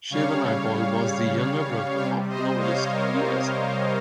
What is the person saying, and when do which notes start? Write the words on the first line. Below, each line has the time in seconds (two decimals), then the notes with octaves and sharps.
Shiva Naipaul was the younger brother of novelist V. S. Naipaul.
0.10 C#3 G3 C#5 F5
1.97 C3 G3 C#5 F5
2.29 C5 D#5
2.59 C#5 F5
2.91 A#4 C#5